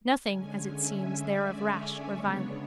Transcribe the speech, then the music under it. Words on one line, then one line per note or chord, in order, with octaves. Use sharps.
Nothing, as it seems, there of rash or violent.
D3 G#3 C#4 G#5
E5
D5
C#5
C#3 G#3 B3 D4 C#5